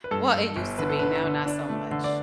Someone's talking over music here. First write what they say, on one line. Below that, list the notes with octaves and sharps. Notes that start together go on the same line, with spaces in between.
Well, it used to be, now not so much.
B4
G2 A4
G2
G1
D3 B4
A4
D3 B4
D3
D4
A3
D3
D5